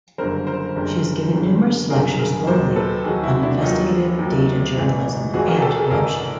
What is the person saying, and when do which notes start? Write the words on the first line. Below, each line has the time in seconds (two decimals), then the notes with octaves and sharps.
She has given numerous lectures globally on investigative data journalism and corruption.
0.18 F#1 F#2 D3 G3 A#4 C5
0.47 A#4 C5
0.76 F#1 F#2 D3 G3
1.33 F#1 F#2 D3 G3
1.90 F#1 F#2 D3 G3 G#4 A#4
2.19 G#4 A#4
2.47 D#2 D#3 F#3 A#4 C5
2.76 A4 B4
3.04 D#2 D#3 F#3 F#4 G#4
3.23 E4 F#4
3.42 D4 E4
3.62 D#2 D#3 F#3 D#4 F4
4.19 D#2 D#3 F#3
4.76 G#1 G#2 E3 G#3
5.33 G#1 G#2 E3 G#3 F#4 G#4
5.48 G#4 A#4
5.62 G4 A4
5.76 G#4 A#4
5.91 G#1 G#2 E3 G#3 G#4 A#4